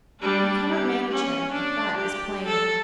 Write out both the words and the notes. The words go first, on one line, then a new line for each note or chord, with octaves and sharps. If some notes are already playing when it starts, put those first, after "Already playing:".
"You cannot manage him; that is plain."
G3 D4
G4
C#4
D4
G4
A4